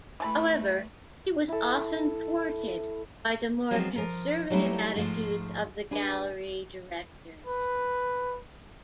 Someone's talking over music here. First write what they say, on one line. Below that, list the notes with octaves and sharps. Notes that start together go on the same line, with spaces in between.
However, he was often thwarted by the more conservative attitudes of the gallery directors.
E3 A3 B4 A5 B5
E4 A4
F3 F#3 G#3 B3 C4 G#4
F3 A#4
F#3 G3 A3 D#4 E4
G#2 E3 F3 G#3 A3
D4 G#4 B4
B4